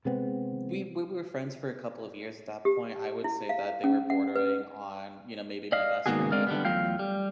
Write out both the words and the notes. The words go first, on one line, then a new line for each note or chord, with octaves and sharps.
we we were friends for a couple of years at that point, I would say that they were bordering on, you know, maybe my best friend, even.
C3 G#3 B3 C4
G4
E4
F5
C#4
F#5
B4
D5 D#5 F5
G#2 D#3 A#3 B3 F#4 G#4
G#3 C4 A#4 D5 F5
D3 G3 B3
E2 F#3 A3 F4 F5 G5
G3